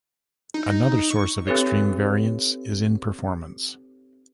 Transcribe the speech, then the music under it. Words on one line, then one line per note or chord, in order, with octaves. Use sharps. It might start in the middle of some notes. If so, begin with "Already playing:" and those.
Another source of extreme variance is in performance.
D#4
C#6
C4 D#4 G4 A4 B4 C#5